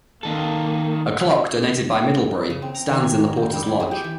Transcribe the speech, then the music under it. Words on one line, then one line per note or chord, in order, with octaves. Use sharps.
A clock donated by Middlebury stands in the Porters' Lodge.
D#3 A#3 A4
C#3
C4
A#5
D#3
G#5
A#4
C5
G3
E4
G#4
G4
E3